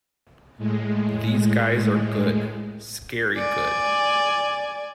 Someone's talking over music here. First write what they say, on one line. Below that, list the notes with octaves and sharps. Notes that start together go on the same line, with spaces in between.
These guys are good, scary good!
A2 G#3
D5 G#5